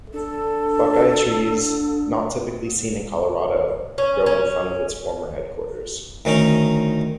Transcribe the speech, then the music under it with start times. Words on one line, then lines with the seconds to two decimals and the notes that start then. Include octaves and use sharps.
Buckeye trees, not typically seen in Colorado, grow in front of its former headquarters.
0.14 D4 A4
3.98 C#4
4.26 C#4
6.25 D2 D#3 C#4 D#4 A#5